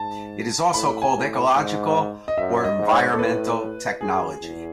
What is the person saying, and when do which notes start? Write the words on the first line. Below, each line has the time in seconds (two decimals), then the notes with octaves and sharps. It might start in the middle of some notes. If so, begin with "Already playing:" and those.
It is also called ecological or environmental technology.
Already playing: G#2 A5
0.74 A2 B5
1.02 G#5
1.15 A2
1.56 G#2
2.28 D#5
2.38 F#2 E5
2.64 D#5
2.78 G#2
2.92 C#5
3.14 A4
3.19 A2 B4
4.01 F#2 G#4
4.42 E2